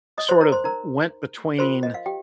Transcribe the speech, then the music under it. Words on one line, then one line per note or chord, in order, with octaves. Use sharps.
sort of went between,
D#5 D#6
C5 C6
A#4 A#5
C5 C6
D#4 A#4 A#5
F4 A#4 C5 C6
D#5
F5
G4 G5